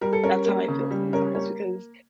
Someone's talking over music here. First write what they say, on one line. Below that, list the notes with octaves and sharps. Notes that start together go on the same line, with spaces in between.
that's how I feel sometimes because
G3 A#4
A4
C#4 A#4
A#3
C#3
G3
C#4 A#4
A#3 C#4 C#5